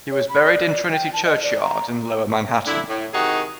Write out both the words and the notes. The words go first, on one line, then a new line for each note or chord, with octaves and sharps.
He was buried in Trinity Churchyard in lower Manhattan.
C#5
B5
D5
G5
A5
D#5
D5
A#5
D3 D4 E4
A2
C3 D#3 D#4 F#4 G#4